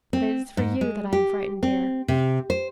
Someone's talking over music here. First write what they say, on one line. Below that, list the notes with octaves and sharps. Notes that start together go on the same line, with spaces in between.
But it is for you that I am frightened, dear.
C4
G#2
G#3
G4
C4
C3
C5